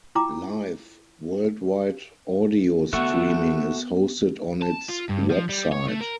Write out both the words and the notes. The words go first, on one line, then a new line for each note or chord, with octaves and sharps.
Live worldwide audio streaming is hosted on its website.
E4 F4 G5 A#5 D6
B3 F#4 A4 E5 F#5 C#6 F#6
A5
F4
G2
F3
G3
C#5
A3
A#4